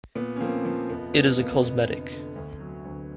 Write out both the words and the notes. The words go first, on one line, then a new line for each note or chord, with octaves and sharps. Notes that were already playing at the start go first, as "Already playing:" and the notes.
It is a cosmetic.
A#2 B3
C#4
F3 A#3 C4
F3 B3
F1 B3
F1 B3
F1 A#3
F2 B3
D3
D3
D2
F#3
D2